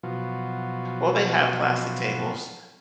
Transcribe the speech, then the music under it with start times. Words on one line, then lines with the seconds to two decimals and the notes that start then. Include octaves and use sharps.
Well, they have plastic tables,
0.03 B2 F3 F#3